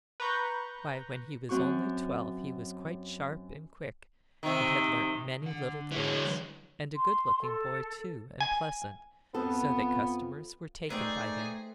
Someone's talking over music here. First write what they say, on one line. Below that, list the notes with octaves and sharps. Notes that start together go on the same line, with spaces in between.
Why, when he was only twelve he was quite sharp and quick, and had learnt many little things, and a good-looking boy too, and pleasant, so that customers were taken by him.
B4 A#5 C#6 G6
F#2 C4 F#4 C#6
C3 D#3
D3 F#5
E3 G#3 B4 C#5
C6
A4
G#5
F2 F3 B3 A4
A3 D#4 G#4 B4 C5 D5 G5